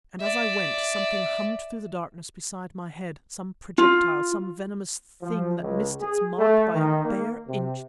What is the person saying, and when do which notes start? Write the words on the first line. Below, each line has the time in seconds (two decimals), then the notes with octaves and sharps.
And as I went something hummed through the darkness beside my head, some projectile, some venomous thing that missed its mark by a bare inch!
0.20 D5 E5
3.78 F4
5.22 F3
5.62 C#2
6.01 G#4
6.38 A3
6.75 D#3
7.04 A#3
7.48 C3